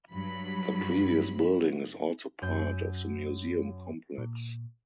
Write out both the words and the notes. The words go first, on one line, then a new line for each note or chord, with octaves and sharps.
The previous building is also part of the Museum complex.
G2 F#3 B5
F#2 G6
A#2